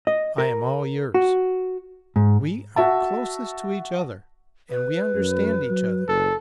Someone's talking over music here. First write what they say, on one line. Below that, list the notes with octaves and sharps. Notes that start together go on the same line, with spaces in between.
I am all yours; we are closest to each other and we understand each other.
D#5
A#4
F#4
G#2
F#4 E5 A5
B4
F#2
F#3
F#1 A4